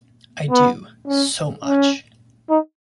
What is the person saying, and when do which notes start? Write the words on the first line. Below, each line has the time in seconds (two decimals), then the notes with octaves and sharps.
I do, so much.
0.51 B3
1.08 C#4
1.65 C#4
2.50 D#4